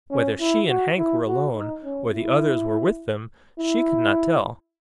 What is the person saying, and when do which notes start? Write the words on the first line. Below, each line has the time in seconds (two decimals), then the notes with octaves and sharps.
Whether she and Hank were alone, or the others were with them, she could not tell.
0.10 C#4
0.40 E4
0.68 F#4
0.97 E4
1.27 F#4
1.55 D#4
1.85 C#4
2.13 E4
3.59 E4